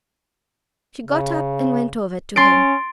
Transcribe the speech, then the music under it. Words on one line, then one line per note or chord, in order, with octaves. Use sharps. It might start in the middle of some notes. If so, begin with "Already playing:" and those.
She got up and went over to him.
C#3
C#4 C6 A6 D7